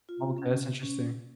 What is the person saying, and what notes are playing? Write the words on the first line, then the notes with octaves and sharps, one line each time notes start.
Okay, that's interesting.
F4
C#4
C#4